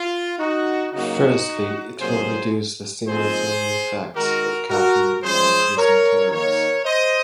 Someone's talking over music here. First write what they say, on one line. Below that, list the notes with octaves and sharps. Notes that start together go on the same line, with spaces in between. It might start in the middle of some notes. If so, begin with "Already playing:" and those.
Firstly, it will reduce the stimulatory effects of caffeine by increasing tolerance.
Already playing: F4
D#4 F#4
C#3 F#3 A#3 D#4 F#4
C3 F#3 A#3 D#4 G#4 C5
A#2 F3 G#3 C4 D#4 G#4 C5
D#3 G#3 D#4 F#4 A#4
F#4 A#4
F3 G#3 C#4 G#4 C5
A#4 C#5
D#3 A#3 D#4 A#4 C#5
C5 D#5